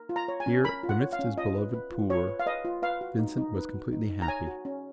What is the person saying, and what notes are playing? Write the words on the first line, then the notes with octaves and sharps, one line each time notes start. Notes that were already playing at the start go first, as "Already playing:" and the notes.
Here, amidst his beloved poor, Vincent was completely happy.
Already playing: A#4
F4
A#5
C#5
G#5
C#4
A#4 B5
F4
F#5
C#5
F5
C#4
F4 D#5
B4
B4
F4
F4 C#5
B4
F5
B4 D#5
F4
B4 F5
F#4
D#4
D#4
B4
F#4
D#4
D#4
A#5
C#5 G#5
F#4
C#4